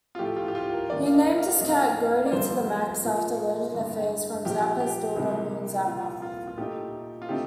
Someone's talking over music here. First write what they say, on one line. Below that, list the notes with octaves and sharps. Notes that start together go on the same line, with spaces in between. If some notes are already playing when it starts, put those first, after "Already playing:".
He named his cat Grody-to-the-Max after learning the phrase from Zappa's daughter Moon Zappa.
F4
A2 F3 A3 G4
F4
G4
F4
A#4
D#2 D#3 A#3 D4 F4 D5
F5
D#5
F5
A#1 A2 A3 C4 F4 D#5
F5
D#5
D5
G1 F2 D#3 G3 C5
A#2 F3 A#3 F4
A1 G2 D3
A#1 A#2 F3 G4
G4
C2 C3 F3 A#3 D#4
C2 A#2 F3 A#3 F4
F4
F4
A#2 A3 D#4 G4
F4
D3 A3 C4 D#4 G4